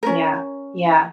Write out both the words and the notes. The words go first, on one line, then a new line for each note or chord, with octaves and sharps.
Yeah, yeah,
C#4 A#4